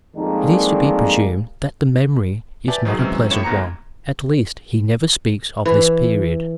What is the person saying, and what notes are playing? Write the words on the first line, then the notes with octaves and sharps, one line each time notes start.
It is to be presumed that the memory is not a pleasant one: at least he never speaks of this period.
F2 D#3 G3 G#3 A#3 D4
G4 B4 D5 E5 G#5 A5
D#3 F#3 G#4
C3 E3 F#3 G#3 C4 C#4
G#1 A2 C#5 G#6 E7
D2 G#2 B2 A#5 C#7
E3